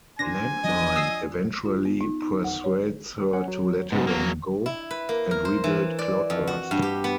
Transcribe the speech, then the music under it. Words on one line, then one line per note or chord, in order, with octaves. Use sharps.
Landmine eventually persuades her to let them go and rebuild Cloudburst.
D4 C5 G#5 A#6
F3 D4 D#5
D#6 E6 C7
F4
B3
D#4
D#4
F#5
C#5
C#4 F#5
F#3
G#2 C#3 B3
F#3 A#3
E4
B4
A#3
A#4
C5
E3
D5
F2
F#4
G2
G4
B3